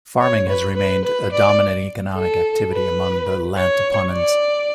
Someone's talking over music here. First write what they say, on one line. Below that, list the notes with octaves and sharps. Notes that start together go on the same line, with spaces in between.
Farming has remained a dominant economic activity among the Lantapanons.
C#5
B4
B4
B4
D5
A4
B4
C#5
D5